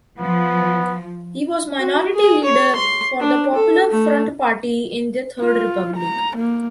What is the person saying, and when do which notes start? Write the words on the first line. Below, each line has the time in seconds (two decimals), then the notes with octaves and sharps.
He was minority leader for the Popular Front Party in the third republic.
0.19 F3 B3
1.78 F#4
2.15 G#4
2.44 C#5
2.75 C6
3.20 D4
3.54 A4
3.91 A3
5.41 F4
5.97 A#5
6.37 A#3